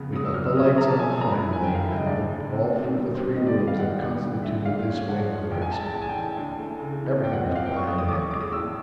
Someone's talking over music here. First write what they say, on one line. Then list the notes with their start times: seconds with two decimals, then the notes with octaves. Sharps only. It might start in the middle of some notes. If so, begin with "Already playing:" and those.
We got the lights on finally and looked all through the three rooms that constituted this wing of the basement. Everything was quiet and empty.
Already playing: F2 C#3 B3
0.13 F#3 D#6
0.25 E6
0.34 A#2 F6
0.45 E6
0.56 C#4 D#6
0.67 D#6
0.78 F3 A#5
0.88 A5
0.99 A3 G#5
1.10 G#5
1.20 E1 A#5
1.31 B5
1.43 E3
1.53 G#5
1.63 D#2 G5
1.75 F5
1.86 C#3 E5
1.97 D#5
2.06 D2 D5
2.29 D2
2.49 C3
2.72 D#3
2.92 G2
3.14 C4
3.35 D#3 D#5
3.47 D5
3.58 G3 D#5
3.67 F5
3.78 G#1 F#5
4.00 G#1
4.21 G2
4.43 D3 E5
4.65 A#2 F5
4.87 C#4
5.08 F3 F#5
5.30 G#3
5.51 A1 G5
5.62 G#5
5.72 G#3 A5
5.83 A5
5.93 A2 A5
6.02 G#5
6.09 G5
6.15 E3 G#5
6.37 D2
6.58 A3
6.80 C#3
7.02 E3
7.23 A#2 G5
7.33 F#5
7.44 C4 D#5
7.55 F5
7.66 F#3 G5
7.77 C#6
7.87 A3 D#6
7.98 D#6
8.08 A1 D6
8.19 C#6
8.30 G#3 D6
8.41 D#6
8.52 A2 E6